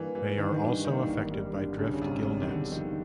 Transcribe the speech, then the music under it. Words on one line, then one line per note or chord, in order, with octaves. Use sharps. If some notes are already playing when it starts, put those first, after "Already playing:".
They are also affected by drift gillnets.
Already playing: G2 E3 A#3
E3 G3
D3 D#3
D#3
G2 E3
D#3 A#3
G#1
G3
D3
G2 C#3
C#3
G#1 C3
C#3 G3
D#3
E1 D3
D#3 F3